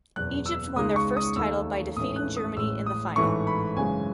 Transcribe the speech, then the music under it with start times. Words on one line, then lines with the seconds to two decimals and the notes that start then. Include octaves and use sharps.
Egypt won their first title by defeating Germany in the final.
0.16 F#1 E2 B2 F#6
0.46 E6
0.76 C#2 C#3 G#3 D#4 D#6
0.96 C#6
1.17 D#6
1.36 D#2 D#3 A3 D#4 E6
1.96 A1 G#2 E3 A3 C#4 D#6
2.16 F#6
2.37 D#6
2.56 A1 A2 G#3 E6
2.86 D#6
3.16 A1 G#2 E3 A3 C#6
3.47 B5
3.77 G#1 F#2 C#3 E3 G#3 G#5